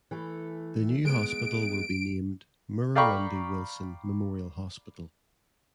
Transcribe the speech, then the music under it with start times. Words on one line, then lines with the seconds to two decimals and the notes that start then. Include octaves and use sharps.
The new hospital will be named Murrurundi Wilson Memorial Hospital.
0.11 E3 A3 A4
1.05 G#3 B3 D7
2.96 D5 F5 G5 A#5 B5 C#6